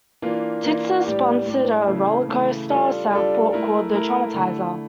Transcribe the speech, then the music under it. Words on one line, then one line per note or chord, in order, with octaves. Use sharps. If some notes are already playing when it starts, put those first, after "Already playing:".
Tizer sponsored a roller coaster in Southport called the "Traumatizer".
E3 A#3 D4 F4
E3 A#3 D4 F4
A2 G3 D4 G4
A2 G3 D4 G4
C#3 E3 A3 E4
C#3 E3 A3 E4
G3 D4 F4 A4
G3 D4 F4 A4
A3 E4 A#4
A3 E4 A#4
D3 A3 E4